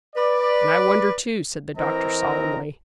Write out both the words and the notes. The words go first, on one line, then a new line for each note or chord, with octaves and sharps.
"And I wonder too," said the doctor solemnly.
B4 D5
E3 C4 A#4 D#5 A#5